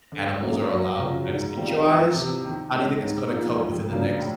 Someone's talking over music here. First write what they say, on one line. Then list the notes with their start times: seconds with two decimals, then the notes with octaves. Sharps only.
animals are allowed to kind of sanctuarize? How do you think it's gonna cope within the next
0.12 D3
0.41 F#3 A#3 C#4
0.70 F#2
0.99 C#3 F3
1.28 G#2
1.57 D#3 G3 C4 F4
1.86 F2
2.15 C3 E3
2.45 D#3
2.73 G#3 C#4
3.03 G#2
3.31 F3 A#3
3.60 F2
3.89 C#3 F#3 A#3 D4
4.18 A2